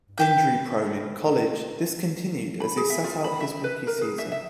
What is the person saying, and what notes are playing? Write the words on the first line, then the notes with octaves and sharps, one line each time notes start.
Injury-prone in college, this continued as he sat out his rookie season.
B4 G5 G6
B5
G#4
E5
F4
B5
E5
B4
A#4
G#4
E5
E5